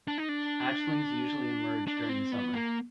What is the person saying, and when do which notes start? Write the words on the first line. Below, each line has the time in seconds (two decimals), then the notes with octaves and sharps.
Hatchlings usually emerge during the summer.
0.08 D4
0.18 D#4
0.29 D4
1.87 D4
2.09 C4
2.32 B3
2.54 A#3